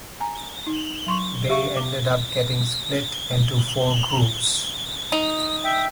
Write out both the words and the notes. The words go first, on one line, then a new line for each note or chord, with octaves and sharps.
They ended up getting split into four groups.
G#5 A#5
D#4
F#3 C6 C#6
G4 E5 F5 C#6
D6
D#4
E5 G5